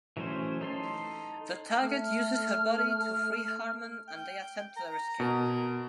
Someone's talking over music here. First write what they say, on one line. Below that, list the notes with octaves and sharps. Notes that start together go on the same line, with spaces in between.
The target uses her body to free Harman and they attempt their escape.
E3 F#3 A3 C#4 C5
D#4 A4 C6
A3 F6
G5
A#5
B2 A#4